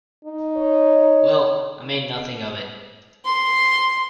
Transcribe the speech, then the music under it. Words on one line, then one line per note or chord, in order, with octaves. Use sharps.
Well, I made nothing of it.
D#4
C#5
C6